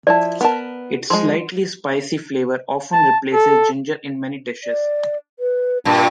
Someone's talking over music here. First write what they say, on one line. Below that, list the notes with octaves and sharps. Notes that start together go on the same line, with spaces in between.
It’s slightly spicy flavor often replaces ginger in many dishes.
F3 E4 D5 A5
B3 A#4 A5
F3 G#3 C6
A5
A4
D5
B4
G2 A#2 A5